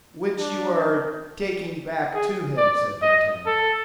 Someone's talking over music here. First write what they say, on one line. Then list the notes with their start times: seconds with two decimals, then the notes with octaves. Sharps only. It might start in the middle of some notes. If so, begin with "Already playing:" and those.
"Which you are taking back to him?" said d'Artagnan.
0.38 D4
2.14 G#4
2.58 D5
3.02 D#5
3.46 A4